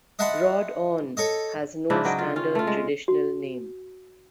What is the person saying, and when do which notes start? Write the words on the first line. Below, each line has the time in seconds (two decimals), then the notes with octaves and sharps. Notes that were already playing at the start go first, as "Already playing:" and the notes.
Broad On has no standard traditional name.
0.19 D#5 E5 F#5 A5 B5 C6
1.17 A4 C#5 D#5
1.90 G#2 C#3 D4 E4
2.05 F#3 D#5 G5
2.18 F4
2.36 C#4 F4
2.55 A3 F4
2.67 G#3
3.08 F#4